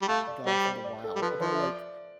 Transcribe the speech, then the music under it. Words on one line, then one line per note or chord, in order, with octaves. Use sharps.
gone from the wild, although, like,
G3
A3 F5
D5
G3 C5
C5
D5
A4
G3
F3 B4
F3 C5
E5
D5